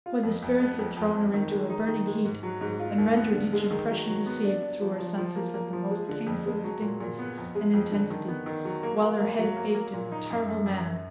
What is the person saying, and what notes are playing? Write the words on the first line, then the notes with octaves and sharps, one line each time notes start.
For the spirits had thrown her into a burning heat, and rendered each impression received through her senses of the most painful distinctness and intensity, while her head ached in a terrible manner.
F4
F2
F2
B3
F2
F2
F2
D#3
G#3
D#4
D#3
G#3
G#2
F#3
G#2
F4
D#2
B3
D3
G#3
D#3
F#3
F#3
B3
D4
D4
F3
F3
F3
A#3
A#3
F3
G#3
D3
F2
G#3
F#3
A#2
A#2
B3
F2
G#3
F2
D3
D#3
B3
D#3
F#3
A#3
A#3
A#3
F#3
A#3
A#3
A#2
D#4
F#2
F#2
F#2
F#2